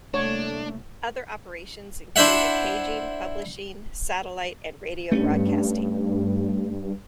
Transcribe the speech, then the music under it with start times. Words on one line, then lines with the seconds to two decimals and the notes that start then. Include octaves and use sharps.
Other operations included paging, publishing, satellite, and radio broadcasting.
0.14 C2 A3 A#3 D4 C#5
2.16 D4 E4 C5 E5 F#5
5.12 G2 A3 C4 C#4